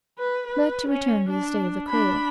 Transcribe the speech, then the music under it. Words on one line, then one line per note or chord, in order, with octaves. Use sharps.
But to return to the state of the crew.
B4
B4
C#4
D4
D4 B5